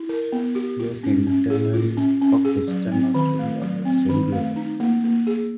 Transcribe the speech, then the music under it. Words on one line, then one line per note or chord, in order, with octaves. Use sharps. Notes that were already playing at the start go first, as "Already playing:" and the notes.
The centenary of Western Australia was celebrated.
Already playing: E4
A#4
B3
G4
F4
C#4
C#4
G#4
F4
C#4
C#4
G#4
F#3
C4
D#3
A3
F#3
C4
D#3
A3
D#4
A#3
A#3
G#4